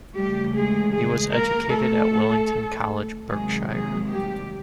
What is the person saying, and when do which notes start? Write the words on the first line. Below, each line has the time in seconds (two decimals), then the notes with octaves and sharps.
He was educated at Wellington College, Berkshire.
0.17 C#3 E3 G3 A3 G4
0.56 G#3 G#4
0.95 G#3 G#4
1.35 A#3 A#4
1.73 A3 A4
3.29 C3 D#3 F#3 G#3 A#3 G#4
3.68 G#3 G#4
4.08 G3 G4